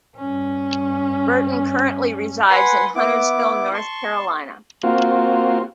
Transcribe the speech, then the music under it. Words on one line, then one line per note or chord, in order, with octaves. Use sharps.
Burton currently resides in Huntersville, North Carolina.
G2 C#4
B4 F#5 G#5 B5 C6
B3 E4 D6
A5 C6 C#6
A#3 C4 F4 F#4